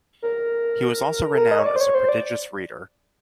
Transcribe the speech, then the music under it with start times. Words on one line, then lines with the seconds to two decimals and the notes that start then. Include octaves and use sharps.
He was also renowned as a prodigious reader.
0.22 A#4
1.33 A4
1.38 A#4
1.51 D#5
1.59 C#5
1.66 D5
1.76 C5
1.81 C#5
1.95 C5
2.09 D5